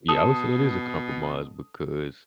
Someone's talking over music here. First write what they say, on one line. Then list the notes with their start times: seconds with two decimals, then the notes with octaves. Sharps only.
Yeah, I would say it is a compromise because,
0.09 B2 A4 D#6